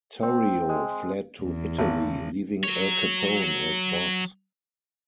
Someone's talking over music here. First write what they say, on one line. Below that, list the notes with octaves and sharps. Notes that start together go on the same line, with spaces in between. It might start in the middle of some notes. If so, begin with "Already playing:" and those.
Torrio fled to Italy, leaving Al Capone as boss.
C4
G#3
E2
G#1
F#3 C#5